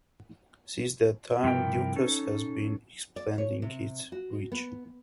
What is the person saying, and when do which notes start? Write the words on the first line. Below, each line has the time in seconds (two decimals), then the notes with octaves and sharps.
Since that time, Ducasse has been expanding his reach.
1.44 G2 C3 F3 E4 A#4 G5
1.96 C#4 D#4 A4
3.16 D5
3.38 C#5
3.62 C3
4.12 F#4
4.52 B3